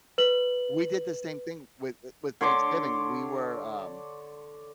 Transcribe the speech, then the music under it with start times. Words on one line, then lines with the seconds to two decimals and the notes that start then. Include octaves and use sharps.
We did the same thing with uh, with Thanksgiving, we were, um,
0.18 B4 F#7
2.41 D3 C#5 C6 D6